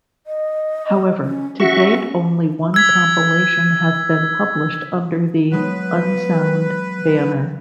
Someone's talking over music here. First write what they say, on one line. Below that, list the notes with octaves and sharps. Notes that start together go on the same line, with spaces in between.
However, to date only one compilation has been published under the "Unsound" banner.
D#5
C#4
C#4 F#4 E5 C#6
E6 G#6 B6
F#3 G#3 B3 B4